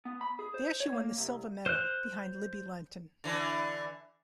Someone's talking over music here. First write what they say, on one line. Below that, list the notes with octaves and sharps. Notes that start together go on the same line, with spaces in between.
There she won the silver medal behind Libby Lenton.
B3
B5
G#4
C5
C#5
A#3
C2
C5 F6 F#6
D3 E3